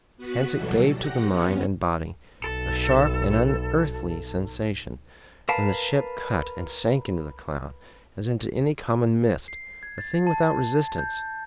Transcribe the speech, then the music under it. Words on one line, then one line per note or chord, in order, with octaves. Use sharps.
Hence it gave to the mind and body a sharp and unearthly sensation when the ship cut and sank into the cloud as into any common mist, a thing without resistance.
B3 F#4 B4 B5 F#6
B2 E3 F#3 G3 A4
G4 F#5 A#6
F2 B3 C#4
B1 A4
A#4 B4 F5 A5
C7
G#6
A6
A5
G6